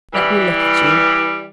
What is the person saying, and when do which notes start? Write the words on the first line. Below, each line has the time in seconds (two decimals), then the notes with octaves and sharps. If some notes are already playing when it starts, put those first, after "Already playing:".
Let me look at you.
0.13 E3 G3